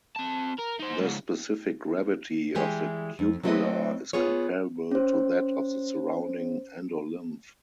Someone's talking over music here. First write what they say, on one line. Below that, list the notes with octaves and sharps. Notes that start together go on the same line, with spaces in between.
The specific gravity of the cupula is comparable to that of the surrounding endolymph.
C4 A5
A#4
D#4 C5
G#2 C#3
E3 G3 G#3 G4 G#4
F2
F#3 A3 C4 E4 B4 D#5
B3 F4 G#4 C#5
C#4 C5